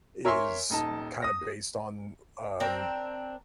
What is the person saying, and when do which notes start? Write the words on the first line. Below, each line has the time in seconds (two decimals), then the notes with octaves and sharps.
is kind of based on, um,
0.25 A#4 C#5 E5 G#5 C6 C#6
0.70 D#1 D#4 A5
1.22 D#6 A#6
2.60 C4 D4 A#4